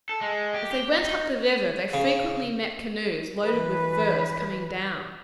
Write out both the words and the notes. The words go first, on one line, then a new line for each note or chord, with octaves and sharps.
As they went up the river they frequently met canoes loaded with furs coming down.
A4
G#3
G4
G4
D#4
C#3
E3 B4